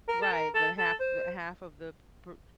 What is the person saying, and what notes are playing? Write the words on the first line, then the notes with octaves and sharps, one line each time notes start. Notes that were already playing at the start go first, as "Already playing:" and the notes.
Right, but half the half of the per
A#4
A4
A#4
A4
A4
C5